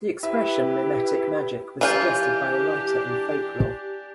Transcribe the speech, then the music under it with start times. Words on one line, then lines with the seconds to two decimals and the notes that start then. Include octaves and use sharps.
The expression "mimetic magic" was suggested by a writer in Folklore.
0.23 E4 G4 B4 E5
1.81 E3 D4 F4 G4 G#5 G6